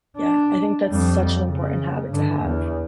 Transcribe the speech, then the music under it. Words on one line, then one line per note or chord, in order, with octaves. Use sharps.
Yeah, I think that's such an important habit to have.
D4
F2 G3
C#3
G2 D3
E2